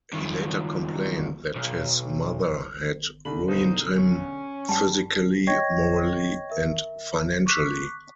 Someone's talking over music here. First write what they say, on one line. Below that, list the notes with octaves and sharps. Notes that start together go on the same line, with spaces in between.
He later complained that his mother had "ruined him physically, morally and financially".
G2 D#3
B1
C2 D3 B5 F#7
C#2 B2 D#4 C5
C#4
G2 G3 G5 A5
C#5 D#5 G5 C#6 G#6 A#6
A#4 E5
C#6 D6 F#6 B6